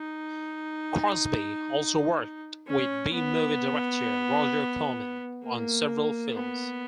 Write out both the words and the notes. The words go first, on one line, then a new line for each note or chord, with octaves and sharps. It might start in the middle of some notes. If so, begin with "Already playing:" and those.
Crosby also worked with B-movie director Roger Corman on several films.
Already playing: D#4
C#4
B3
A#3
B3